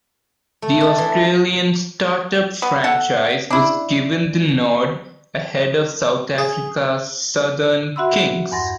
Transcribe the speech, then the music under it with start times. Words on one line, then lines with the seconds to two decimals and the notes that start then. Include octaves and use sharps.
The Australian start-up franchise was given the nod ahead of South Africa's Southern Kings.
0.62 A3
0.81 D4
0.98 E3
2.62 B3
2.84 A4 F#5
3.51 D4 E4
6.38 G#4
7.96 F#4 E5 F#5 B5 C6 E6
8.52 E2 G2 F#5 C6 A6 A#6